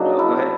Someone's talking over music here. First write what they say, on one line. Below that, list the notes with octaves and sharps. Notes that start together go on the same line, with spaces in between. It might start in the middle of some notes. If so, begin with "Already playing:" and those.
no, go head.
Already playing: C#3 F#3 A#3 D4 D#4 F#4
E4